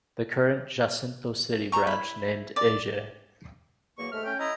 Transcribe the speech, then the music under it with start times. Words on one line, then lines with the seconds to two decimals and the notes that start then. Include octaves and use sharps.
The current Jacinto City branch, named A. J.
1.72 C5 A#5 C#6
1.87 E4 B5
2.56 D5 D6
3.98 E2 F#3 A#3 C#6
4.11 D#2 G#2 A3 F6
4.25 C#4 G5
4.39 E4 D#5 A#5